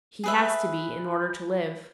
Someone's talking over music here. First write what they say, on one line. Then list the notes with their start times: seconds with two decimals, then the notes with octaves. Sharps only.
He has to be, in order to live.
0.24 G#4 B4 E5